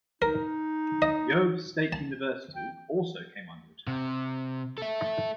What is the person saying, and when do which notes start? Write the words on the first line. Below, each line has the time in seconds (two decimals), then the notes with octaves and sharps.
Yobe state university also came under attack.
0.22 D#4 A#4
1.02 D#5
1.93 A5
2.56 G5
3.87 C3
4.78 A4 E5